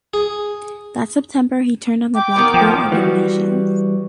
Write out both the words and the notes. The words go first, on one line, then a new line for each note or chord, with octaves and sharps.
That September he turned on the Blackpool Illuminations.
G#4
G5 D6
D#3 B3 A#4
F3
E3 G3 F#4